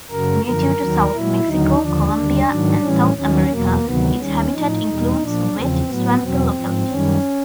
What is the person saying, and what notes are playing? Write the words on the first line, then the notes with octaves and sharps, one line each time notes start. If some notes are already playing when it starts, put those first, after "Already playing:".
Native to south Mexico, Colombia and South America, its habitat includes wet, swampy localities.
F#2 C#3 F#3 A#4
F#2 D3 F3 A#4
D#2 D#3 F#3
A#2 F#3 E4
D#2 D3 F#3 D#4
D#2 D3 F3 D4
D#2 D3 G3
G#2 D#3 F#3
A2 E3 G3 C#4
D#2 D#3 F#3 C#4
E2 B2 F#3 A#3
D2 C3 D#3 F#3 B3
D#2 D#3 G3 C#4
A2 F3 D#4
E2 B2 G3
A#2 F3 D4
E2 C#3 F3 C4
A2 F#3 B3
E2 B2 F#3 C4
G#2 F3
F#2 D#3 G3 C#4